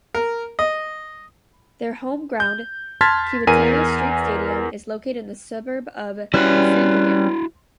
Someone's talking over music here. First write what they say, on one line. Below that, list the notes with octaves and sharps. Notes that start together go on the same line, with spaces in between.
Their home ground, Kiwitea Street Stadium, is located in the suburb of Sandringham.
A#4
D#5
G6
A5 C6 F6 G#6 A6 B6
E2 A#4 G#5 D#7
G3 C#4 E4 F#4 B4